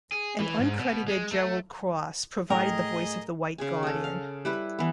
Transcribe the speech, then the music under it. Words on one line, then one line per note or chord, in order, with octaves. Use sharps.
An uncredited Gerald Cross provided the voice of the White Guardian.
G#4
E3
G#2
B2
G#3
A3
A2 G#4 A#4 D#5 G5
C#3 G#4 G#5
G#4 A4
F5
G3 E4 B4
E3 B3